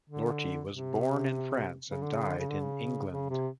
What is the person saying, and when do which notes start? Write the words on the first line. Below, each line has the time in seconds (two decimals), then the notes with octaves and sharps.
Lortie was born in France and died in England.
0.10 D3
0.70 C3
1.90 C#3
2.02 D3
2.14 C#3
2.26 D3
2.38 C#3
2.50 D3
2.62 C#3
3.10 C#3
3.30 C3